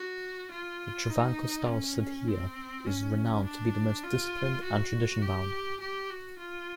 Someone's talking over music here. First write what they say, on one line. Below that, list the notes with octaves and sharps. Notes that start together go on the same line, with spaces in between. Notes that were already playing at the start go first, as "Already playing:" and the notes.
The Travancore-style sadhya is renowned to be the most disciplined and tradition-bound.
Already playing: F#4
F4
D#4
C#4
C4
C#4
D4
F4
F#4
G4
G4
F#4
F4